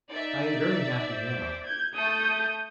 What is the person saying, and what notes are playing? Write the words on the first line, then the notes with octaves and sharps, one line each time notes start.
I am very happy now.
D#4 D5 E5
C5 D6
G6 G#6
A3 A4 D#6 G6